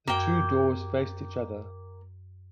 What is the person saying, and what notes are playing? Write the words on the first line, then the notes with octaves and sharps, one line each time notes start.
The two doors faced each other.
F#2 A#3 G5